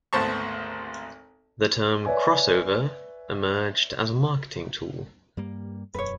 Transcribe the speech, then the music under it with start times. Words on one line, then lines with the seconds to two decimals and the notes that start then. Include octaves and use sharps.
The term "crossover" ermerged as a marketing tool.
0.13 G#1 D2 B3 C5 A5 C#6
2.06 B4 C#5 D5 E5 G#5
5.37 G2 G3 A#3
5.94 E1 F#2 B4 C#5